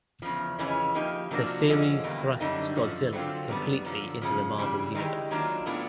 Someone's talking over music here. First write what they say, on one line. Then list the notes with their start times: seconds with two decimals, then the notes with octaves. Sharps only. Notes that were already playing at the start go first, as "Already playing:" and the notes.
The series thrusts Godzilla completely into the Marvel Universe.
0.22 E2 C#3 F3
0.59 F2 C#3 E3 G#3 C#4
0.95 F3 A#3 D#4 G4
1.31 C3 F3 A#3 D4 F#4
1.67 F2 D3 F3 G#3 C#4
2.04 E2 B2 G3 A#3
2.40 F#2 D3 G3 C4 D#4
2.76 F#2 D3 F3
3.13 D3 F#3 A3 C4 F4
3.49 F#2 D3 G3 B3
3.85 F#2 D3 F3
4.21 F#2 C#3 F3
4.58 F#2 C#3 E3 G3
4.94 D#3 G#3 B3 E4 G4
5.31 D#3 F#3 A#3 D4 F4
5.66 A2 F#3 B3 D4 F4